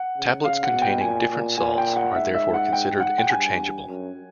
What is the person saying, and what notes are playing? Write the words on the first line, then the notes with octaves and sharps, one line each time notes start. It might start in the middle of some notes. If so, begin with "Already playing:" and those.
Tablets containing different salts are therefore considered interchangeable.
Already playing: F#5
C#3
C#3 F5
F#5
B2
G5
A#2 G#5
A#2
A#2 G#5
G5
F#5
G#2 E5
E5
F#5
G5
F#5
G5
G2 G#5
F#2